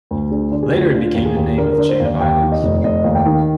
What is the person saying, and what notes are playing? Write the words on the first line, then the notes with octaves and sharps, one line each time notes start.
Later it became the name of the chain of islands.
D2
D3 G#4
D3
G#4
G4
D2 F4
G4
D3 F4
D#2
G#4
D#2
D3 A#4
A#4
D3
C5
D#2 D5
D#2 G5
D#3
D#5
F1
F1 D#5
D#2
G5
D#3